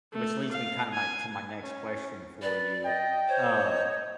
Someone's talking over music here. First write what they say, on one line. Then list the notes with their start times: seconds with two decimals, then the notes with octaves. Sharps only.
which leads me kinda my to my next question for you, um
0.12 A3
0.51 F5
0.93 G#5
1.63 C#4
2.42 B4 D5
2.85 D#5 G5
3.28 C5 C#5
3.65 D#5